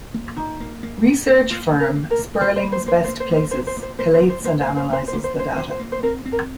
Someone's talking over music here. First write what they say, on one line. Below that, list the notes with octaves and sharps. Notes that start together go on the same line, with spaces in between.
Research firm Sperling's BestPlaces collates and analyzes the data.
A#3
A#2 D#4
A#3
A#3
A#2
A#3
A#3 F4
A#2
A#4
A#3
A#4
A#2
A#2 C5
C5
A#3
C5
A#3 C5
C5
A#3
C5
A#3 C5
A#2 C5
C5
A#2
C5
A#3 C5
C5
A#2
C5
A#3 C5
C5
A#3
C5
A#2 C5
C5
A#2
C5
A#2 C5
A#2 C5
C5
A#3
C5
C4 A#4
C4
A#4